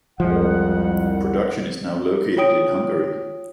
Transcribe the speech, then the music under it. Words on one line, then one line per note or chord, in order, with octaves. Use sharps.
Production is now located in Hungary.
C2 F2 F3 G#3 F#5
F4 C#5 G5 D#6 D7